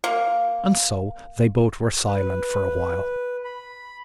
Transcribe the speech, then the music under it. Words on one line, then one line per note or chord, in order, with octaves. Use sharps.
And so they both were silent for a while.
A#3
B4
B5